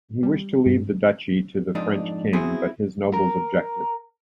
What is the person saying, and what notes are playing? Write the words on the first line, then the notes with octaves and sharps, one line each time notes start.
He wished to leave the Duchy to the French king, but his nobles objected.
G3
G2
F2 G#2 D4 D#4
B3 C4 E4 F#4 G#4
A#4